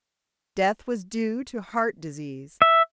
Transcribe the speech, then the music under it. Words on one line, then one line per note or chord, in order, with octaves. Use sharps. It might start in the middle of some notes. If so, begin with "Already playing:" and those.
Death was due to heart disease.
E5